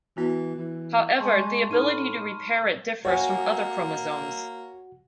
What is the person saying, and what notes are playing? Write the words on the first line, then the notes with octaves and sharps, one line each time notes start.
However, the ability to repair it differs from other chromosomes.
E3 B3 F#4
E3
G#3 A5 C6 C#6
A2 D#4 A5 B5 F6 D#7
A#3 F#4 C#5 F#5 G#5